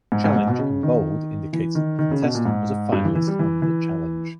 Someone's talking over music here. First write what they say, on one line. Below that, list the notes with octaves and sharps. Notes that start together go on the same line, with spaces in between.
Challenge in bold indicates that the contestant was a finalist on The Challenge.
G#2
G#2
G#2
B2
C#3
D#3
E3
D#3
D#3
C#3
B2
A#2
G#2
G2
E3
E3
G3
E3
E3